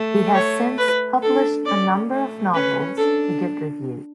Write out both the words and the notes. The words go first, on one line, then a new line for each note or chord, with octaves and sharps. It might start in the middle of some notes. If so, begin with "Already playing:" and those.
He has since published a number of novels to good reviews.
Already playing: A3
C#5
B4
D4 A4
C#4 D5
A3
C#4 B4
D4 A4